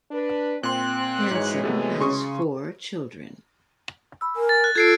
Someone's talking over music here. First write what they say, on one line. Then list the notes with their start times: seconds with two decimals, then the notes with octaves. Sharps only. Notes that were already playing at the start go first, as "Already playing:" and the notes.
Hansen has four children.
0.12 D4 B4
0.63 A#2 C4 C6 F#6
1.31 G#2 E3 F#3 G#3 C#5
1.63 C3 A3 B3
2.00 C#3 C6 C#6 D#6
4.21 B5 E6
4.36 A#4 G#5
4.49 A6
4.64 F#6
4.76 F4 A4 G#6 C7 D7